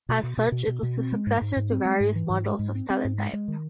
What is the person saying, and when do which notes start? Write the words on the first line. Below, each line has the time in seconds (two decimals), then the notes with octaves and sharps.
As such, it was the successor to various models of Teletype.
0.09 B2
0.23 B2
0.37 B2
0.52 B2
0.67 B2
0.83 B2
0.98 C4
1.12 G#3
1.27 G#2
1.41 G#2
1.57 G#2
1.72 C4
1.85 G#3
2.00 G#2
2.15 E3
2.29 G#2
2.45 G#3
2.59 G#2
2.75 C4
2.90 C4
3.05 G#2
3.18 G#3
3.33 G#3
3.48 D#3